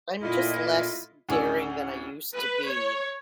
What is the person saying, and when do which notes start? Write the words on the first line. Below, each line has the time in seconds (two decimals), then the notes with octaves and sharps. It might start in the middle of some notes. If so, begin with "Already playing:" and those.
I'm just less daring than I used to be.
0.23 A#2 A3 D4 E4 F4 D#5
1.29 D2 A2 C#4 G#4 D5 E6
2.35 B4
2.68 C#5